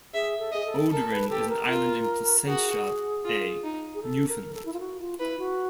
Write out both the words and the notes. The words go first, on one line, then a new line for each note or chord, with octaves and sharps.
Oderin is an island in Placentia Bay, Newfoundland.
G#4 E5
A4
G#4 D#5
A4
A4 A#4
B4
G4 A4
A#4
F4
F#4 G#4
F4
D#4
G#4
A4
A#4
A4
E4
F4
F#4
F4
E4 B4
F#4